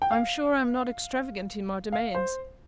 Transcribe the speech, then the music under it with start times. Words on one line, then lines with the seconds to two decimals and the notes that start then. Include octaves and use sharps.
I am sure I am not extravagant in my demands.
0.02 G5
0.11 F5
1.92 F5
2.15 C5